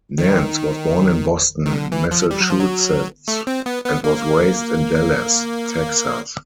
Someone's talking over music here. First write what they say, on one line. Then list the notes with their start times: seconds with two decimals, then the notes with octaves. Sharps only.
Nance was born in Boston, Massachusetts and was raised in Dallas, Texas.
0.18 D#3
1.66 D#3
1.73 D3
1.92 E3
2.11 F3
2.31 G3
2.41 F#3
2.50 F3
2.60 F#3
3.28 A3
3.47 C4
3.66 B3
3.86 B3
4.04 A#3